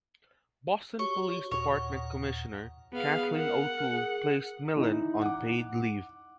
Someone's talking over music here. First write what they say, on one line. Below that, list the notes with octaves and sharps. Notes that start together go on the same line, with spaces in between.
Boston Police Department Commissioner Kathleen O'Toole placed Milien on paid leave.
F#4 G4 C#5 C#6
D#2 A#2 C#5 F#5
B3 G#4 F5
A#4 F#5
G#4
E3 D#4
F#5 D6